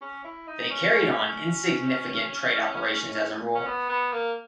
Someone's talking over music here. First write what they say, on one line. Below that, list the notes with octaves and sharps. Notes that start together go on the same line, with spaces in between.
They carried on insignificant trade operations as a rule.
C#4
E4
D#4
C#4
C#4
C#4
B3
B3
A#3